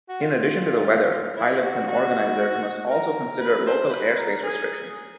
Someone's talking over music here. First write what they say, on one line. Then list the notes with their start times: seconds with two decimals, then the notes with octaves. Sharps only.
In addition to the weather, pilots and organizers must also consider local airspace restrictions.
0.09 F#4
0.22 F4
1.37 E4
1.62 F#4
1.88 F#4
2.90 A#4
3.41 B4
3.67 C5
3.92 B4
4.18 A#4
4.43 G#4